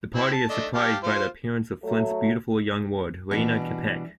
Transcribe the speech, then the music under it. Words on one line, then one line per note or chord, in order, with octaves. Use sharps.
The party is surprised by the appearance of Flint's beautiful young ward, Rayna Kapec.
C4 E4
A5
A3 D4 D#5
G4 F5 A5
F4 C5
F#3 A3
B2 E3 G3 D4